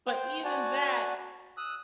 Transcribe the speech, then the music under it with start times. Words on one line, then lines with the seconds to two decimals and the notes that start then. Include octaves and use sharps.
But even that
0.07 C5 G5
0.44 F#4 D5 F#5 G#5 A5
1.57 D#6 E6 F#6